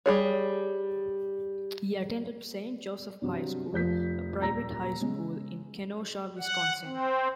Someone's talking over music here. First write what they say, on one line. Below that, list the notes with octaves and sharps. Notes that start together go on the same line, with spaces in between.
He attended Saint Joseph High School, a private high school in Kenosha, Wisconsin.
G3 G#4 C#5
G2 C3 F#3
F1 F3 G6 B6
D#1 A#5 E6 A#6
C#3 G#3
F#5
C4